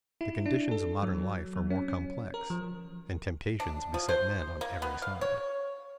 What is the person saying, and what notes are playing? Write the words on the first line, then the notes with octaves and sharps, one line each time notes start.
But the conditions of modern life are more complex, and temptations beset men on every side.
E4
D4
A4
F#3
F#3
C#4
C#4
A#4
F3
D4
F3
C5
A#3
B3
F5
C#5